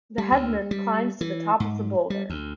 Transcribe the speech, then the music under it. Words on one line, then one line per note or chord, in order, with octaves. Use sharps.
The headman climbs to the top of the boulder.
G3
D2
G3
E3
G#2
G3
D2